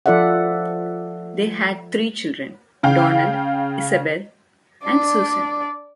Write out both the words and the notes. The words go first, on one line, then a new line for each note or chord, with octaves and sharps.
They had three children: Donald, Isabel and Susan.
F3 F4 A4 D5 E5 F#5
C#3 F5 G5
D4 D5